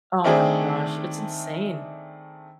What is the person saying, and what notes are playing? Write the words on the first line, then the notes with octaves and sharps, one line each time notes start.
Oh my gosh. It's insane.
D#3 A3 C4 D4 G#4